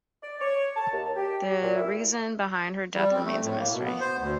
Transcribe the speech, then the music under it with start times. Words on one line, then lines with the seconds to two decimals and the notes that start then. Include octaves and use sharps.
The reason behind her death remains a mystery.
0.22 D5
0.40 C#5
0.76 A5
0.93 D#2
1.15 G4
1.62 A#2
1.75 E4
2.95 G3
3.12 C4
3.25 A3
3.42 A2
3.59 A#3
3.71 B2
3.84 B3
4.01 C5
4.19 D2